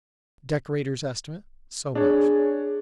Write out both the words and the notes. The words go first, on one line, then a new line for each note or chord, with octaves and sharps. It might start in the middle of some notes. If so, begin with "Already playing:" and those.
Decorator's estimate, so much.
D4 G#4 C#5